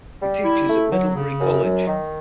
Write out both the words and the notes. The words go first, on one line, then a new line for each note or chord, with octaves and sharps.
He teaches at Middlebury College.
G3
E4
A3
F#3
C#3
F#2
F#3
D#3